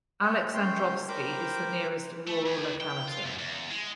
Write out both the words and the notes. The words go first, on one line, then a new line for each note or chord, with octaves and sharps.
Alexandrovsky is the nearest rural locality.
A4 C#5 E5 G5
C#4 G5 C6
A#4 C5 G5 B5 D6
A3
D#2
G5
F4
F#2
E2
G#3